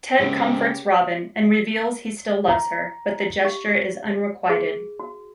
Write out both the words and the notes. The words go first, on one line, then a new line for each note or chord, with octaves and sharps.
Ted comforts Robin and reveals he still loves her, but the gesture is unrequited.
C#3 G#3 A#3 C4 C#4 G4 F#5
A#5
G4
G#4
F#4